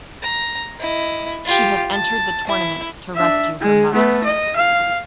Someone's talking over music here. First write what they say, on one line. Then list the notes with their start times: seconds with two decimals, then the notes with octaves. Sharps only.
She has entered the tournament to rescue her mother.
0.23 A#5
0.80 E4 D#5
1.45 F4 G4
1.91 A5
2.47 E4 E5
3.16 D4 E5
3.61 G#3
3.93 A3 B3
4.24 D#5
4.56 F5